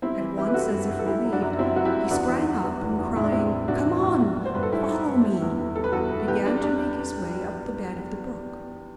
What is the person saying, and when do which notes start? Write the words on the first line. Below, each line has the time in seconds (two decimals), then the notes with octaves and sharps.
At once, as if relieved, he sprang up, and crying, "Come on, follow me!" began to make his way up the bed of the brook.
0.02 G3 C4 E4
0.20 E3
0.37 E3 E4 G4
0.47 B4
0.54 G3 F#4 A4
0.71 G2
0.90 G2
0.99 A4
1.06 F#2 E4 G4
1.24 F#3
1.32 D4 F#4
1.42 F#2
1.59 F#3 C4 E4
1.76 F#2 F#4
1.85 E4 G4
1.93 F#2
2.11 E2 D4 F#4
2.29 E3
2.46 G3
2.63 E2
2.81 E2
2.98 E2
3.16 A2 E4
3.24 D4
3.32 G3 C4 E4
3.51 A2
3.68 A2 D4 F#4
3.85 E3
4.03 A2
4.20 G3
4.38 G3
4.46 C5
4.54 G2 B4
4.63 A4
4.72 G3 E4 G4
4.89 G3
5.07 G2
5.23 G3
5.42 E2
5.59 E2
5.76 G3 A4
5.84 B4
5.92 E2 F#4 A4
6.11 E2
6.28 E2 G4 B4
6.45 G3 D4
6.63 G3 D4